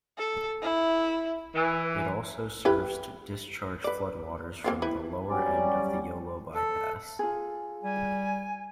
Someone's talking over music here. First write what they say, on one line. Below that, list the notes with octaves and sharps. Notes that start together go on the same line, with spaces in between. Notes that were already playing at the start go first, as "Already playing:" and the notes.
It also serves to discharge floodwaters from the lower end of the Yolo Bypass.
A4
E4
E3
E4 G4 B4
B4 D5
A#3 C4 F4
E4 B4
F#3 G3 C#4 D5
A4
F4 G#4
G3 G#5